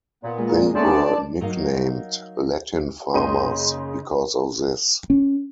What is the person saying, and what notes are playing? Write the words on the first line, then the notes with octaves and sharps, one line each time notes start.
They were nicknamed "Latin Farmers" because of this.
A#2 B3
G#3 A#3
A3 B3 C#4 D4 B4 D5 A5 C6
F#3 D#4 A#4 F5
F#1 C#3 C#4 D#4 C6 D#7
C#4